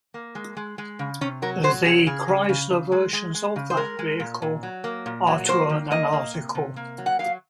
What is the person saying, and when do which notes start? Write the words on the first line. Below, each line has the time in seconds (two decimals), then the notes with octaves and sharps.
The Chrysler versions of that vehicle are to earn an article.
0.14 A#3
0.35 G#3
0.57 G#3
0.78 G#3
0.99 C#3
1.21 C3 C#4
1.42 F#3 A#4
1.63 F#3 C5
1.85 C3 G#4
2.06 C#3 G#4
2.28 C#3
2.49 C#3
2.70 C#3
2.92 G#3
3.13 G#3
3.34 G#3
3.56 C#3
3.70 C5
3.77 G#3 A#4
3.99 G#3
4.20 A#2
4.42 A#2
4.63 F#3
4.84 A#3
5.06 A#2
5.27 F#3
5.48 A#3 C5
5.70 D#3
5.91 A#3 D#5
6.13 A#3
6.34 C3
6.55 C3
6.76 A#3
6.98 F#3
7.06 F#5
7.19 F#3 F5